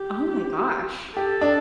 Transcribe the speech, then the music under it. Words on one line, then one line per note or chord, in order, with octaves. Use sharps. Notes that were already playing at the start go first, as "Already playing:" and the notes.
Oh my gosh.
Already playing: G4
G4 A4
D4